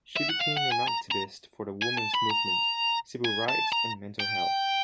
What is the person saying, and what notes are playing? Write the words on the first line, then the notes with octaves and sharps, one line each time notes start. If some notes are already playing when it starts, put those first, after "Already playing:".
She became an activist for the women's movement, civil rights and mental health.
E5
F#5
F5
F#5
G#5
A#5
A#5
G#5
A5
B5
A#5
G#5
A5
A#5
G5